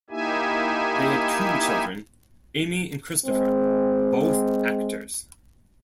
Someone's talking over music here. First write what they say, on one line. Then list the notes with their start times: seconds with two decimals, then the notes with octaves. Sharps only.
They had two children, Amy and Christopher, both actors.
0.10 A#3 D#4 E4 G4 E5 G#5
3.26 G#3 C4